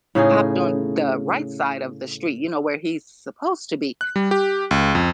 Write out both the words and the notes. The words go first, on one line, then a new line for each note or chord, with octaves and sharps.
hopped on the right side of the street, you know, where he's supposed to be,
A2 C#3 D#4 G#4
F#6
G3
G4
C#2
F2